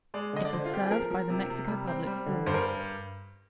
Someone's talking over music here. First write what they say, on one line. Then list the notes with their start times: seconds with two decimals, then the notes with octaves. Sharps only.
It is served by the Mexico Public Schools.
0.14 G#3 D5
0.33 D3 D#5
0.45 D5
0.53 D3 C5
0.65 F4
0.72 C4 G4
0.82 G#4
0.91 F3 A#4
1.11 F3
1.30 C3
1.50 C3
1.68 G3
1.87 C4
2.07 G3
2.26 D3
2.46 G2 C5
2.54 A#4